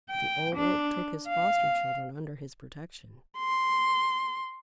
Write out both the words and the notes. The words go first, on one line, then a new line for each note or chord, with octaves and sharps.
But the Old Oak took his foster-children under his protection.
G5
D4
F5
C6